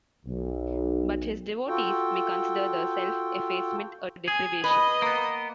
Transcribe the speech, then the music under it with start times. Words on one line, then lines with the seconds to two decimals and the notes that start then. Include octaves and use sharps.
But his devotees may consider the self-effacement a deprivation.
0.25 B1
1.68 F4 F#4 A4 G5
4.28 G#4 G#5
4.64 B4 D#5
5.02 A#3 B3